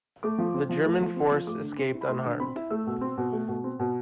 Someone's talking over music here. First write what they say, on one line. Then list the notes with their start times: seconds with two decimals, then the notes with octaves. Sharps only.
The German force escaped unharmed.
0.23 A3 D6
0.38 F3
0.54 C4
0.69 F3
0.85 A3
1.01 F3
1.16 C4
1.31 F3
1.47 A3 D6
1.62 D3
1.78 C4
1.94 E4
2.01 B5
2.09 A3 C6
2.25 D3
2.40 C4 B5
2.56 E4
2.70 A3 E6
2.87 B2
3.01 C4
3.18 B2
3.32 A3
3.48 B2
3.64 C4
3.79 B2